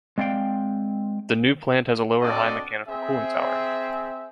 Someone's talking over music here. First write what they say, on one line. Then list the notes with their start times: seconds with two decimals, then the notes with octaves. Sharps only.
The new plant has a lower high mechanical cooling tower.
0.18 G#3 C4 D5 F5 G5
2.22 C4 D4 F#4 A4 D5 D#5
2.88 C4 G#4 E5